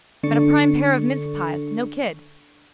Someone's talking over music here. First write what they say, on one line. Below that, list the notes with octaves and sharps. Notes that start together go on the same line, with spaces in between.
Got a prime pair of mincepies, no kid.
D3 D4 A4 D5 C#6 C#7